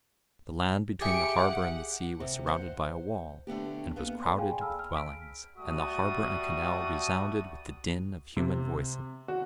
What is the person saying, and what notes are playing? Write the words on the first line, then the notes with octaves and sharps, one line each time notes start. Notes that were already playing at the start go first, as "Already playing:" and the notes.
The land between the harbour and the sea was surrounded by a wall, and was crowded with dwellings, and the harbour and canal resounded with the din of human voices.
G4 G#4 E5 C#7 D7
F#5
C3
C5 F#5
D3 A3 B3 G4
A#3 B3
A4 D5 B5 C6
G#4 F5 G5 G#5
A5 B5 E6 F6
F6
B6 D7
G3 A3 F#4 A5 D#6
C3
F#4